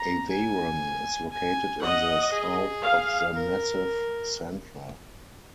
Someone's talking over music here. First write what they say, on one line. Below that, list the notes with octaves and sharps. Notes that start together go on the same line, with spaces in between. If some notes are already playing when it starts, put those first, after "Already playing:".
Aveyron is located in the south of the Massif Central.
Already playing: A#5
G#5
G#5
D#5 F#5
G#4
F5
A#4